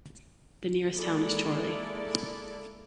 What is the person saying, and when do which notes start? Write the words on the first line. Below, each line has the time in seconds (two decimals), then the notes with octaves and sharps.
The nearest town is Chorley.
0.95 G#3 A#3 E4 A4 D5